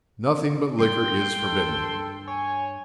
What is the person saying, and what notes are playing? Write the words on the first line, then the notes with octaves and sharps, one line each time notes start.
Nothing but liquor is forbidden.
G#2 G3 G5 C6
G2 A4
C#5 G#5